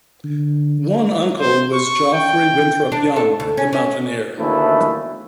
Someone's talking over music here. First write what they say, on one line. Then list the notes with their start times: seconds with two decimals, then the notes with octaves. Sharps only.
One uncle was Geoffrey Winthrop Young, the mountaineer.
0.24 D3
1.41 C5
1.73 C#6
2.13 G5
2.92 D4
3.16 A4
3.40 D2
3.57 C#4
3.73 C#4
4.38 D#2 B2 D3 E3 A3 E4